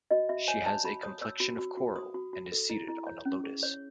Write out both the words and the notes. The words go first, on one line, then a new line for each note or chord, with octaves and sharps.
She has a complexion of coral and is seated on a lotus.
F#4 D#5
F#4 E5
C#5 G#5
C#5 A5
F#4 B5
C#5 D#6
C#5 E6
F#4
F#4
F#4
F#4 D#6
F#4
F#4
A4
E4
E4
C#5
C#4
G#4
C#5